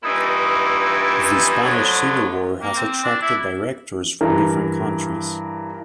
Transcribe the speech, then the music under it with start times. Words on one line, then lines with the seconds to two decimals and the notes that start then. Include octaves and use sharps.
The Spanish Civil War has attracted directors from different countries.
0.03 G2 A#2 E3 D#4 E4
1.65 A2 D3 F3 F#3
2.62 A#3
2.76 C4
3.04 D4
3.22 E4
4.21 G2 E3 A#4